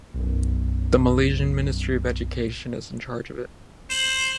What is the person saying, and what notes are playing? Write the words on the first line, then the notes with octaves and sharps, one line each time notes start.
The Malaysian Ministry of Education is in charge of it.
B1 F#2
C5 E7 F#7